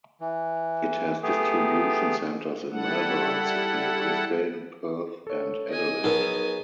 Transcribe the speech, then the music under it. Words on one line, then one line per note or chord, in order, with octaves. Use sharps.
It has distribution centres in Melbourne, Sydney, Brisbane, Perth and Adelaide.
E3
A3 B3 G4 G#4
G3 E4 A4 F#5
A4 C#5
D#5 G#5
F#3 B3 D#4 G#4 A#4